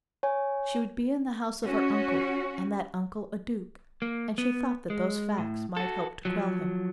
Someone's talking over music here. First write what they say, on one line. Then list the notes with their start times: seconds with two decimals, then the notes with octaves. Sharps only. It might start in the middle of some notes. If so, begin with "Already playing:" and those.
She would be in the house of her uncle and that uncle a duke, and she thought that those facts might help to quell him.
0.23 C#5 G#5
1.64 C#4 F#4
4.02 A#3
4.38 B3
4.90 G#3
5.38 A2
5.77 F#4 A4
6.25 F3 F#3